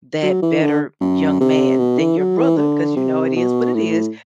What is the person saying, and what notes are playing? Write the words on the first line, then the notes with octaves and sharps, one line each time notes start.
that better young man than your brother, 'cause you know it is what it is,
F#3
E3
D3
F#2
C3
B2
E3
F#3
E3
D3
C3
B2
A2